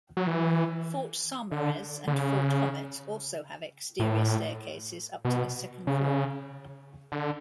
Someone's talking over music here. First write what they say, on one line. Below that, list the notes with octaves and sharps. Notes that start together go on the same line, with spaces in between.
Fort Saumarez and Fort Hommet also have exterior staircases up to the second floor.
F#3
E3
D3
D3
C#3
A2
B2
C#3
D3